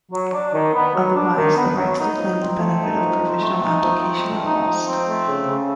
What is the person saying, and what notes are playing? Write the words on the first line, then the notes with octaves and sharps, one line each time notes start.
Otherwise, the rights to claim the benefit of provisional application are lost.
F#3
D4
D#3
B3
F#3
D4
D#3
B3
F#3
D#4
F3
C4
A3
D#4
F3
C4
A3
D#4
F3
C4
A3
D#4
F3
C4
A3
C#3
C#3